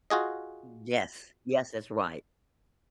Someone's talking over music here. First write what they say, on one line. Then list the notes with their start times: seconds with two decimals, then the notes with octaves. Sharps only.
Yes, yes, that's right.
0.10 F4 F#4 G#4 D#5